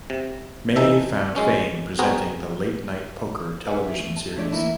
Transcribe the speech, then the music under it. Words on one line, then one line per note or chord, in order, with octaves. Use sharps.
May found fame presenting the Late Night Poker television series.
C3
E3 D#4 A4 D#5 E5
F#2 G#3 C#4
B3 C4 F#4 G#4 A#4
A4 B4 D5 F5 F#5 G#5
E5
A3
A5
G#3 A3 D4 C#5 D5
E3 A3 A#3 E4 F4